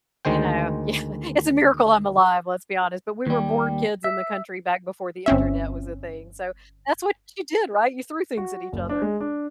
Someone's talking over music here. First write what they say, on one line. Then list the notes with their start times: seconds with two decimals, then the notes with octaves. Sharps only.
you know Yeah, it’s a miracle I’m alive, let's be honest, but we were bored kids in the country back before the internet was a thing, so that's what you did, right? You threw things at each other.
0.25 D2 D#3 G#3 C5 G5
3.27 D#2 G3
4.04 E5
5.26 G1 C4 C#4 E5
8.37 F#4
8.72 F#1
8.89 D4
9.02 G#3
9.20 D4